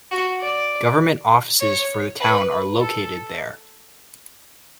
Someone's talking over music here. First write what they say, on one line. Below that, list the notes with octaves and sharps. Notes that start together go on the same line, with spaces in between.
Government offices for the town are located there.
F#4
D5
C#5
B4
A4